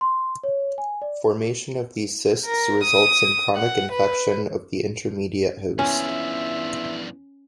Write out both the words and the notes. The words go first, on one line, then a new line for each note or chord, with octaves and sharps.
Formation of these cysts results in chronic infection of the intermediate host.
C6
C#5
G#5
D5
A#4
D#6
F#5
B4
E2 G2 F3 C#4 E5